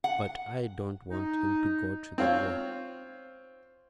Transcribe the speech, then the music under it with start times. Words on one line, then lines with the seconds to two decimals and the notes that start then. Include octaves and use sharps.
But I don't want him to go to the war.
0.04 F#5
1.11 D#4
2.18 C4 F4 C#5